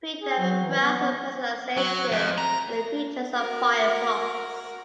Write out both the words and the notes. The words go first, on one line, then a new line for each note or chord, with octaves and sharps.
Freedom and browser personalization are the features of Firefox.
G#4
F#3
E3
B3
B3
F#3
F2
A#5
F#4 A#4